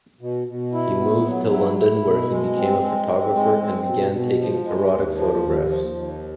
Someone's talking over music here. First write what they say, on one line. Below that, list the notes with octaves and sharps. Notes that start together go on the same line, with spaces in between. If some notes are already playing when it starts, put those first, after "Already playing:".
He moved to London where he became a photographer and began taking erotic photographs.
B2
B2
E4
B3
F#3
E4
E4
B2
G#3
C4
G#3
C4
G#3
C4
B2
B2
F3
G#3
D#2
F3
D#2
F3
D#2